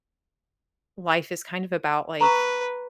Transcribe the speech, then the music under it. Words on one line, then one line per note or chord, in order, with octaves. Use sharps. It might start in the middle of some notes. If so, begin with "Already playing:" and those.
life is kind of about, like,
B4 A#5 C#6 E6